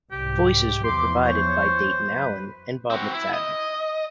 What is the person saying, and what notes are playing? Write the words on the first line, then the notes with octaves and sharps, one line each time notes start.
Voices were provided by Dayton Allen and Bob McFadden.
C2 G#2 G4
E2 E3 F3 C6 D6
C5 C#5 C#6
F#2 B4
C4 F#4
E4
D#5